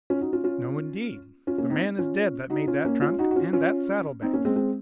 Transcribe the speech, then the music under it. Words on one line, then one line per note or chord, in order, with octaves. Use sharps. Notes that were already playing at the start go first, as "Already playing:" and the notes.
"No indeed; the man is dead that made that trunk and that saddle-bags."
C#4 F4
D#4 F#4
C#4 F4
C#4 F4
C#4 F4
A#3 C#4
C4 D#4
C#4 F4
D#4 F#4
C#4 F4
A#3 C#4
C#4 F4
D#4 F#4
F#4
C#4 F4
C#4 F4
C4 D#4
A#3 C#4
G#3 C4
G#3 C4